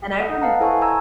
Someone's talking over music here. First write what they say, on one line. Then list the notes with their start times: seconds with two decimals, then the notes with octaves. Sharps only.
And I remem
0.20 A4 D#5 F#5
0.42 B4 D#5 F5 F#5 A5 A#5
0.60 E4 A4 C5 G#5 A5 C#6
0.82 G#5 A#5 C#6 E6 G#6